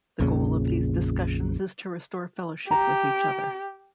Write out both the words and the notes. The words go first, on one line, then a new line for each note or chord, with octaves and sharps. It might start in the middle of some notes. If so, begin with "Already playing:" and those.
The goal of these discussions is to restore fellowship with each other.
A#1 F2 A#2 C#3
G4 A#5